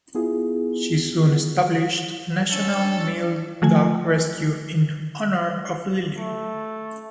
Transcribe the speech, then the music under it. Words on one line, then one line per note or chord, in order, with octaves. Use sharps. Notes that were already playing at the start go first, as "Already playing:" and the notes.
She soon established National Mill Dog Rescue in honor of Lily.
B3 E4 F4 G#4
C#4 D4 A4 C5
F3 A3 F4 G#5
A3